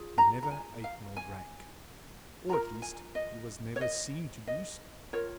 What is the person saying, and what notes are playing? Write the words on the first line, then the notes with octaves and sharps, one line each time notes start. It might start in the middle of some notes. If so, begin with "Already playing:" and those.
He never ate nor drank; or, at least, he was never seen to do so!
Already playing: F4 G#4
A#5
A#5
G#5
F5
G#5
F4 A#4 A#5
G#5
D#5
C#5
D#5
D#5
F4 A#4 C#5